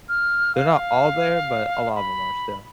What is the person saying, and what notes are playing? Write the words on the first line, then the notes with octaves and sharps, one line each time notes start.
They’re not all there, but a lot of them are still.
F6
F5
B5